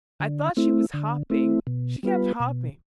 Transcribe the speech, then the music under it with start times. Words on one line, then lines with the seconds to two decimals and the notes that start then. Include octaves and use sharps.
I thought she was hopping; she kept hopping....
0.20 D3
0.57 A3 C4 E4
0.94 D3
1.30 A3 C4 E4
1.67 B2
2.03 G3 B3 F4 B4
2.40 B2